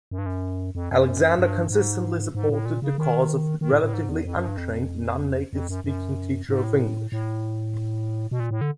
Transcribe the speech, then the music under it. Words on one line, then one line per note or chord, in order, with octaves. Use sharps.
Alexander consistently supported the cause of the relatively untrained non-native speaking teacher of English.
F#2
G2
F#2
F2
F#2
G2
G#2
G#2
A2
A#2
C#3
D#3
D#3
A2
A2
G#2
E2
F2
F#2
G2
F2
F2
F#2
F#2
G#2
A2
A2
B2
A#2
A2
D3